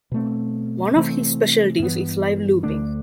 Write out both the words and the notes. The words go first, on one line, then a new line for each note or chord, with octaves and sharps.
One of his specialities is live looping.
B2 A3 C4
C3 E3 A3 C4
G2 E3 B3
D2 D3 A3 D4